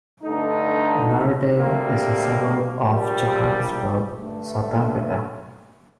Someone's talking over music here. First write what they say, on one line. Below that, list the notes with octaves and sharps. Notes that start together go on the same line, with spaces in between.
Meredale is a suburb of Johannesburg, South Africa.
G2 D3 A3 D#4
D2 C3 G3 A#3
A#1 A#2 G3
G2 D3 A3